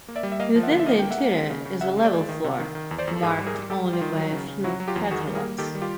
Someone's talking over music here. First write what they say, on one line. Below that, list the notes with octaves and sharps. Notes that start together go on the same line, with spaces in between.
Within the interior is a level floor marked only by a few craterlets.
A#3
D5 E5
G3
E5
A#3 D#5 F5
F3
E5 F#5
D3
E5
A#3 D#5 F5
A#3 G5
E5 F#5
A#3
G#3
C#3
C#3
C#3 E5 F#5
G#3
D5 E5
G#3
D#3
C3
D#3
D#3
E2
C5 D5
E2
A4
G#2 G#4 A#4
G3
G#4 A#4
G3
G3 G4 A4
G3
F4 G4
D#3
F#3
C#3
C#3
F#3 E4 F#4
F#3
F4 G4
E2
D#3 F#4 G#4
G3
G#4 A#4
A#3
D#3 G4 A4
G3
F4 G4